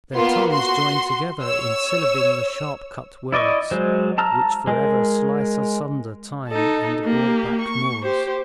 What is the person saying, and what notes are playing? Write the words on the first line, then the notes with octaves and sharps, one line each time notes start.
Their tongues join together in syllabling the sharp-cut words, which for ever slice asunder time and the broad-backed moors.
A#3 B3 F4 C6
F#4 C6
C#5 E6
E4 D5 D#5 C#6
F#3 G#3 C5
A5 A#5 E6 F6
G#3 A#4
D#4 A4
A#3 G4
C#6
G4 C5